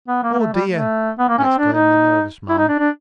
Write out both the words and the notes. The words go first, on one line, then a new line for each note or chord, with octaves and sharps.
"Oh, dear!" exclaimed the nervous man.
B3
A#3
A#3
A3
G3
A3
B3
A#3
C#4
C4
D4
D#4
E4
D#4
D4
D4